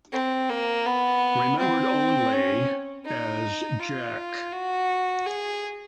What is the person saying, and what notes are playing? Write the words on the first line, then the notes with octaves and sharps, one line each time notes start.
Remembered only...as Jack.
C4
A#3
B3
C4
C#4
D#4
F4
F#4
G#4